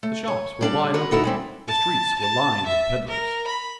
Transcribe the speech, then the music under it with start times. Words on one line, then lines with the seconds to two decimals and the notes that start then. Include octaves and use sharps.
The shops were wide open; the streets were lined with pedlars.
0.03 A3
0.28 C#5
0.61 G3 D4 D5
0.94 F#4 A#4 B4
1.11 D#4 E4 F#4 A4
1.24 E3 G3 C4
1.68 A5
2.19 A5
2.67 E5
3.08 A#4
3.48 B5